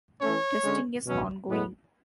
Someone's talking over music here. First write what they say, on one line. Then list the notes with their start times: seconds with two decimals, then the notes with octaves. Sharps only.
Testing is ongoing.
0.21 E3 A3 C#4 C#5
0.64 D3 G#3 C#4
1.05 B2 F#3 C#4
1.48 A2 G#3 B3